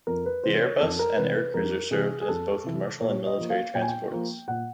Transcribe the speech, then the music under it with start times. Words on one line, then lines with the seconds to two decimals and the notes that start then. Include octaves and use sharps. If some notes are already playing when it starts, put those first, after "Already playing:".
The Airbus and Aircruiser served as both commercial and military transports.
0.07 F2 A#4
0.26 B4
0.44 C3 E3 C5
0.63 C#5
0.81 F2 A4
0.99 A#4
1.17 C3 E3 B4
1.35 B4
1.54 F2 A#4
1.91 C3 E3 G#4
2.21 G#4
2.28 F2 A4
2.64 C3 E3
3.01 A#2 C#5
3.26 D#5
3.38 F3 A#3
3.50 F5
3.75 A#2 G5
3.82 G#5
3.88 G5
4.12 F3 A#3
4.48 A#2 F#5